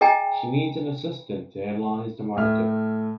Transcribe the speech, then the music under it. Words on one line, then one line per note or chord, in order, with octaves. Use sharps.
She needs an assistant to analyze the market.
G#4 D#5 G5 G#5 A#5
A2 A3 F6